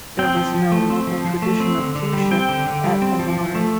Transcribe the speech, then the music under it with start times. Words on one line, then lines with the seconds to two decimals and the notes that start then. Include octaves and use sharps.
There was no local tradition of kingship at Emar.
0.19 C4 G5
0.37 F3
0.54 F3
0.72 A3
0.90 C4
1.07 F3
1.25 F3
1.42 A3
1.60 C4
1.78 D3
1.95 D3
2.13 G3
2.31 C4 G5
2.49 D3
2.66 D3
2.84 G3
3.02 C4
3.19 F3
3.37 F3
3.55 A3